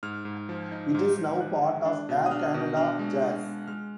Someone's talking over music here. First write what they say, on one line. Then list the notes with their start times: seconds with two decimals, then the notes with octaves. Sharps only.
It is now part of Air Canada Jazz.
0.03 G#2 F6
0.25 G#2
0.49 F3
0.72 D#4
0.94 G#2 F6
1.17 G#2
1.40 F3 F#6
1.62 G#3
1.85 D4
2.09 B2
2.26 D#6
2.31 D4 F6
2.54 B2
2.77 D4 F6
2.99 G#3
3.22 F4
3.45 G#3
3.68 G#3 F6